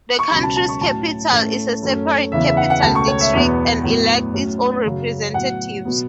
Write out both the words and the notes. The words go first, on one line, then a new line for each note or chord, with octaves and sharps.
The country's capital is a separate capital district and elects its own representatives.
C#6
C#2 B2 F#3 C#4 B5
A5
A5
C#6
A2 F#3 C#4 A5
A2 A3 C#4
F#2 F#3 A3 C#4
E2 C#3 E3 B3 E5
E5
F#5
F#5
C#2 B2 A3 A5
C#6
C#5
E5
E2 B2 B3
A2 F#3 B3
A2 F#3 C#4
F#2 C#3 F#3
A2 F#3 B3 F#5
B2 F#3 B3